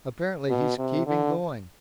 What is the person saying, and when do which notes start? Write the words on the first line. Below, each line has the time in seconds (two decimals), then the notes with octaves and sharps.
Apparently he's keeping going.
0.50 B2
0.78 C3
1.06 D3